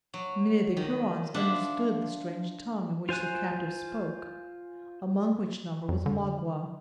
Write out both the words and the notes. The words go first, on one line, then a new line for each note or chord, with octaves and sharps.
Many of the Hurons understood the strange tongue in which the captive spoke, among which number was Magua.
F#3
D#3
F3 D4 C5 E5 F#5
F4 C5 G#5 F#6
F2
D3